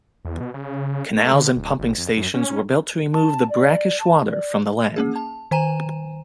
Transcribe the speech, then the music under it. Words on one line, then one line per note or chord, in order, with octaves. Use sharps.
Canals and pumping stations were built to remove the brackish water from the land.
E2
B2
C#3
A3
D3
D1
G#1
F2
F#2
C#4
A5
D5
A5
D5
A#3 C#4 G#4
A5
D#3 C5 G#5 A#5 D#7 E7